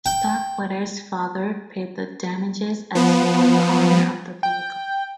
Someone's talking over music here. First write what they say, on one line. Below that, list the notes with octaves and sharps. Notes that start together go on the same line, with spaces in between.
Starkweather's father paid the damages, as he was the owner of the vehicle.
G5
F3 B3
G5